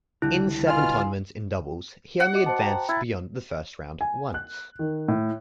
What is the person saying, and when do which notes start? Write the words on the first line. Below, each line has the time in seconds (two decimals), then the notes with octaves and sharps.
In seven tournaments in doubles, he only advanced beyond the first round once.
0.22 C#2 D3 G3 E4
0.67 B2 F4 F5 G#5 C6 F6
2.20 F#5
2.34 F#4 D#5 D6
2.46 C5 A5
2.58 G5 A#5
2.89 E4 E6 G#6 A6
4.01 G#5
4.34 F#6
4.79 D#3
5.08 A2